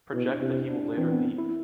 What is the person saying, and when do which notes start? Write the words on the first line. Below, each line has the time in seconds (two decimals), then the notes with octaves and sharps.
Project that he will later leave.
0.13 B2 E4
0.27 D4
0.41 C3 E4
0.55 E4
0.69 D4
0.83 D4
0.97 E3 C4
1.11 B3
1.39 E4